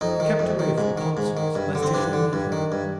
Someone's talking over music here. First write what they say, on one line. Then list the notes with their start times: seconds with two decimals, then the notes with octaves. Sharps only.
He kept away from concerts lest he should meet her.
0.01 F2 D#4
0.20 D#3
0.39 F2
0.59 D#3
0.78 G#2
0.98 D#3
1.17 G#2
1.37 D#3
1.55 G2
1.75 D3
1.83 C4
1.94 G2 D4
2.13 D3
2.33 G2
2.52 D#3
2.72 G2